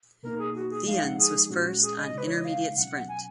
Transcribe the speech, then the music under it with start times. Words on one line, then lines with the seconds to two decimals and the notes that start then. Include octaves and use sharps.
Theuns was first on intermediate sprint.
0.23 B2 A#3 D#4 A#4
0.39 G#4
0.55 F#4
0.70 G#4
0.86 F3 G#3 D#4 F5
1.02 F#5
1.17 G#4
1.50 A#2 G#3 C#4 F#4
1.82 G#4
1.98 D#5
2.13 C#3 G#3 D#4 B4
2.26 C#5
2.36 D#5
2.45 F5
2.76 B2 F#3 C#4 F#5
3.08 G#5